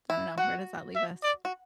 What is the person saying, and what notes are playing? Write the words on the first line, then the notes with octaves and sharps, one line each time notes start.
I don't know, where does that leave us?
E4
F#4 F#5
E5
D5
F#4